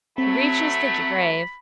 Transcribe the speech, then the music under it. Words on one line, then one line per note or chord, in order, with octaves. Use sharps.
He reaches the grave.
F#3 A3 C4 B5